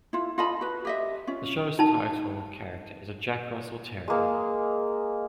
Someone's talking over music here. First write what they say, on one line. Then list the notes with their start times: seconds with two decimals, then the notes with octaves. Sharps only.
The show's title character is a Jack Russell Terrier.
0.13 E4 F4
0.38 F4 D#5 A5 B5
0.61 F#4 B4
0.85 G4 D#5 E5
1.27 C#4 F4
1.79 D#4 A5
4.08 G#3 A#3